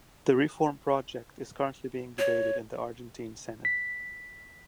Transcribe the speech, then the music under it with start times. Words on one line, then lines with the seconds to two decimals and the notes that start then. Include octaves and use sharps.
The reform project is currently being debated in the Argentine Senate.
2.19 C#5
3.65 B6